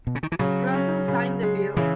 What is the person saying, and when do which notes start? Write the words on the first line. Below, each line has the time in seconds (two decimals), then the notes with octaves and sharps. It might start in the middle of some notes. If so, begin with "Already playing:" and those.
Russell signed the bill.
0.07 B2
0.15 C#3
0.23 D#3
0.32 E3
0.39 C#3 F#3
0.74 C#4
1.08 C#3
1.43 G#3
1.77 C#3 E3